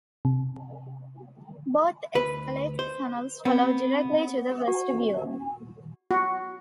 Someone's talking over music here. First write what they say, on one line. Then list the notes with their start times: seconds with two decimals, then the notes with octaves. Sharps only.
Both escalator tunnels follow directly to the vestibule.
0.25 C3
2.15 D2 B4
2.79 C5
3.45 B3 C4
4.68 F#4
6.11 F#4